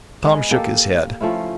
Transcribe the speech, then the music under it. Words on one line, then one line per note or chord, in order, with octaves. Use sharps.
Tom shook his head.
G#3 B3 G#4
A#3 G4 A4
F3 A3 C#4 E4